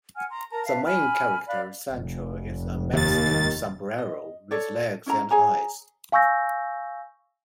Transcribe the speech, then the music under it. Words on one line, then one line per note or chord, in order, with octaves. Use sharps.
The main character, Sancho, is a Mexican sombrero with legs and eyes.
F#5 G#5 F6
A#5 C6
A#4 A5 A#5
B4 E5 F5 A5
G#5 B5 F6
D5 F5 B5 F#6
F1
D#2 A6
D#5
A4 C#5 D5
C#4 E4 D#5 A#5
G#4 C#5 G#5 A#5
F5 G#5 C#6 E6 G6 A#6